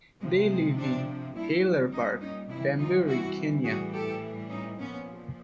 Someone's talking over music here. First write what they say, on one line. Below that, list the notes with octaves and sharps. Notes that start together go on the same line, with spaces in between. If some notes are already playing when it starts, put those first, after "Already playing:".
They live in Haller Park, Bamburi, Kenya.
C3 F3 G#3
G#3
C4 D4
A#2 G3 D4 E4
C#4 D#4
C#4 D#4
C3 E3 G3 D4 E4
D#4 F4
E4 F#4
A2 E3 G3 F#4 G#4
G4 A4
C#4 D#4
A#2 F3 B3 C#4